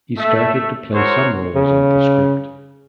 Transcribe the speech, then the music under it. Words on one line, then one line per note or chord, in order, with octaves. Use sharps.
He started to play some roles in the script.
A3 E5
E4 F#4 G#4 A#4 C5 C#5
C#3